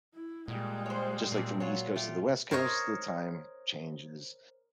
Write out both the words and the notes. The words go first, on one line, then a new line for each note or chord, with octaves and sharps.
just like from the East coast to the West coast, the time changes.
E4
A#2 G3 G#3
C5 C#5
A#2 C4 D4
F#3 F4 C#5
A3 F4 G4
A#4 C5 C#5 D#5